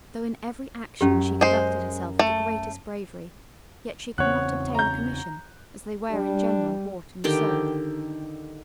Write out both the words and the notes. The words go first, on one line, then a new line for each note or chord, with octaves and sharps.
Though in every action she conducted herself with the greatest bravery, yet she could not obtain a commission, as they were in general bought and sold.
F#2 C#4 G4
G#3 C5
A3
E2 C#3 C4 C#5 F#5 F#6
A#5 G6
G3 D4
D3 D#3 G4 G5